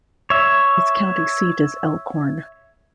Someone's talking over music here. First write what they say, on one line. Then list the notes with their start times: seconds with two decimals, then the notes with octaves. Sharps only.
Its county seat is Elkhorn.
0.30 C#5 E5